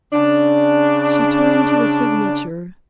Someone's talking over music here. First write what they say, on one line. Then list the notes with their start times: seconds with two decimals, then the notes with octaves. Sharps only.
She turned to the signature.
0.13 C#3 D4